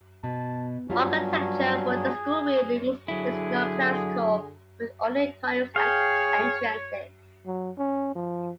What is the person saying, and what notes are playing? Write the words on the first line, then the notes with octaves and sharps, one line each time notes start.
Architecture for the school buildings is neoclassical, with ornate columns at entrances.
B2 A5
G2 F#3 G3 C#4 F4
G#4
D3 F#3 E4 G#4
G#4 C#5 F5 G5
F#3
C#4
F3